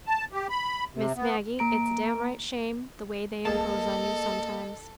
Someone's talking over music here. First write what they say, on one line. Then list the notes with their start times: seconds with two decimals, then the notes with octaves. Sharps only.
"Miss Maggie, it's a downright shame--the way they impose on you sometimes."
0.07 A5
0.32 G4
0.50 B5
0.94 C3
1.16 B3
1.59 A#3 A#5 D7
3.45 C2 A#3 G#4 A4 D#5 A5